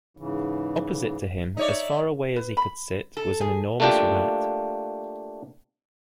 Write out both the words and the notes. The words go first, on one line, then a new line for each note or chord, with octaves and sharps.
Opposite to him — as far away as he could sit — was an enormous rat.
G#2 C#3 E3
D#4 C#5 D5 E5 A#5
B4
B5
A4
G#4
A3 A#3 D4 F4 G4